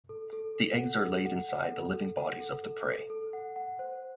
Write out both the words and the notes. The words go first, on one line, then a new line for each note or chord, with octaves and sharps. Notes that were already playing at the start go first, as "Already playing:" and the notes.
The eggs are laid inside the living bodies of the prey.
A4
A4
A4
F#5
A4
F#5
F#5
A4
A4
F#5
A4
A4
A4
A4
F#5
F#5
C5